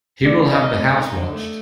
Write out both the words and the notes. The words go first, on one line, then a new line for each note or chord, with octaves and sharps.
He will have the house watched.
A3 D5
C4
D#5
D#4
A3
D#4
D3
A3